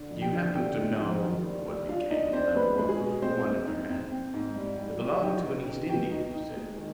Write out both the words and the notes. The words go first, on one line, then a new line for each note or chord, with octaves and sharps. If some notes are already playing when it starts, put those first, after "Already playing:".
"Do you happen to know what became of that watch--the one in her hand? It belonged to an East Indian, you said."
Already playing: D3
F2
G4 G5
D3
D3 G4 G5
G#3
F2
D#3
G3
G3
D4 F4 F5
D4 D#4 D#5
C4 D4 C5
G#3 B3 B4
G#3
G#4
B2
G#3 C4 C5
G#3
D#4
C4
C4
G#2
G3
G3
G3
D#4 G4 G5
B2
B2
B2 G4 G5
D#4
D#4
G#3
D#3